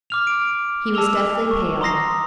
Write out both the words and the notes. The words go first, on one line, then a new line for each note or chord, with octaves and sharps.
He was deathly pale.
D6 F6 F7
D7
A5 D6 E6 F7 G7
C#6
A#5 C6 D#6 A#6 C7